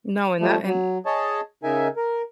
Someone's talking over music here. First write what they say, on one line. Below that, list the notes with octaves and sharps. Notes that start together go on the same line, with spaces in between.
No, and that, and
F3 G3 A3
F#3
G#4 C#5 D#5 A5
C#3 D#4 A#4 E5 G#5
A#4